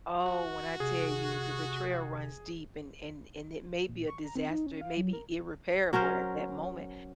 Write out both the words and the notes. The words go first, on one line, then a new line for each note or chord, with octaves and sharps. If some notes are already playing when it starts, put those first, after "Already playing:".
Oh, when I tell you the betrayal runs deep and and and it may be a disaster, it may be irreparable at that moment.
F#4
C3 G#4
A#2
C#6
A#5
C4
D#4
C#4
F5
F#3
A#4
F#3 C#4 A#4 C5